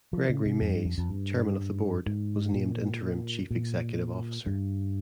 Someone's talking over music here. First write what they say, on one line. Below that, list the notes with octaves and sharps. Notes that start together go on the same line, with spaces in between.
Gregory Mays, Chairman of the Board, was named interim chief executive officer.
F3
C#3
C3
F2
G2
F2
F2
G2
G#2
A#2
A#2
G2